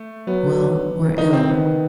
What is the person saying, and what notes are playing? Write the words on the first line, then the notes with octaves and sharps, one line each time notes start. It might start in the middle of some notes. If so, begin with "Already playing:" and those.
Well or ill....
Already playing: A3
F#3 B3
D#3 D#4
C4
B3